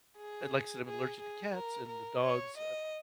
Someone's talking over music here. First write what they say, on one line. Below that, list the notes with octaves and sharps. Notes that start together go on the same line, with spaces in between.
and like I said, I'm allergic to cats and the dogs,
G#4
G#4
G#4
A#4
A#4
C#5
D#5